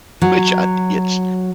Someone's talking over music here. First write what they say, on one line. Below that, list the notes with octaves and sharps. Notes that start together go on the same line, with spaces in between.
which at it's
F#3